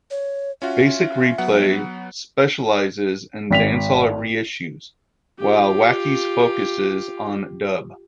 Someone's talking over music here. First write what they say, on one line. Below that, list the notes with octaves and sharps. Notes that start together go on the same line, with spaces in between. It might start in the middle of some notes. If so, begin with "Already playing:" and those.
Basic Replay specialises in dancehall reissues, while Wackies focuses on dub.
C#5
C#4 F4 F#4 E5
F#3 B3 F#5
G#1 B6 F7
F4 G4